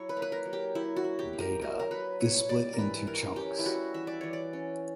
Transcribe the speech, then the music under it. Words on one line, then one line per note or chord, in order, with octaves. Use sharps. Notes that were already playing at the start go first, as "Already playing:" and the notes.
Data is split into chunks.
Already playing: F#3 E4 C#5
B4
A#3
B4
A#4
F#3
G4
F#3 E4
F#4
E4
G4
A#3
A#4
F#3 A#4
A#4
F#3 B4
E4 C#5
G3 D5
A#4
E3 B4
E3 A#4
C#4 G4
E4
G3 F#4
E3 E5
D5
E3 C#5
D5
C#4